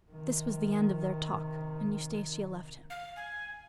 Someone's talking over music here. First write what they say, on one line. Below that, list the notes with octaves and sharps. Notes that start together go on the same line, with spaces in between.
This was the end of their talk, and Eustacia left him.
C3 D#3
F5
G#5